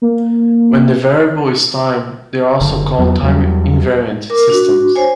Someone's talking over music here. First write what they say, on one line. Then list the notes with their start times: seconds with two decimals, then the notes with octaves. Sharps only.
When the variable is time, they are also called time-invariant systems.
0.02 A#3
2.61 F#1 D3
2.98 E2 F#3 B3
3.23 E2 F#3 G3
4.30 A#4 D6
4.50 D4 F#4
4.96 C5 C#5 G#5